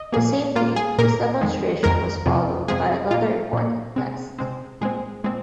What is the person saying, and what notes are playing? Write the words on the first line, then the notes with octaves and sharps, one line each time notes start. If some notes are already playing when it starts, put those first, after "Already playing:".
The same day, this demonstration was followed by another important test.
Already playing: D#5
A#2 F3 A#3 G#4
A#2 A#3 F4
G#4
A#2 A#3 A#4
F2 D#3 G#3
F2 D#3 G#3 A#4
F2 C3 F3 G#3
F2 C3 F3 G#3 G#4
A#2 A#3 F4
A#2 A#3
C3 G#3 C4
C3 G#3 C4
A#2 G#3 C4 G#4
A#2 G#3 C4